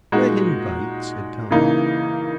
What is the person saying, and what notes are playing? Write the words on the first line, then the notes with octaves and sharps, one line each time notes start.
"Let him bite," said Tom.
A#2 G#3 D#4 F#4
C#3 E3 A#3 D#4